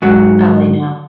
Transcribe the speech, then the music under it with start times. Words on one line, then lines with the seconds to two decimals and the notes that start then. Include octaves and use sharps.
Oh, I know,
0.02 G#2 F#3